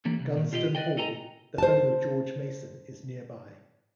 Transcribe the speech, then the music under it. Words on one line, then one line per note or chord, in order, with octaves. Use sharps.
Gunston Hall, the home of George Mason is nearby.
D3 E3 G3 A#3
C2
A#2
B2 F4 G4 D5 D#5
B4 D5 D#5 G5
A4 A#4 D#5 G5 G#5 A#5
C5 A5